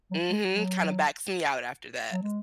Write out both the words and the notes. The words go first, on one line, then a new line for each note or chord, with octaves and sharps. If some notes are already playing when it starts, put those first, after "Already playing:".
Mhm. Kinda backs me out after that,
F#3
G#3
F#3
F#3
G#3